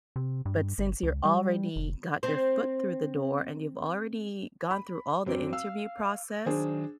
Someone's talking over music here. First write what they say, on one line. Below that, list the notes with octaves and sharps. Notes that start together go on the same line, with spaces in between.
But, since you already got your foot through the door and you've already gone through all the interview process,
C3
G2
G1
C#2
G3
F1
C4 C5
B5
F#2 F#3 C4 D4
F5 E6
D#3 F#3 D4 G#4 C5